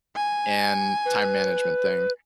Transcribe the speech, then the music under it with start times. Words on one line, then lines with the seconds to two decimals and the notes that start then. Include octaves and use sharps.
and time management thing,
0.16 G#5
1.06 B4